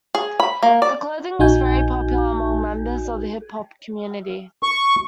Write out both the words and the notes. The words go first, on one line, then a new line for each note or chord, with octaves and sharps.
The clothing was very popular among members of the hip-hop community.
G#4
B5
A#3
D5
A#1 D#4 F#4 G#5 G6
C#6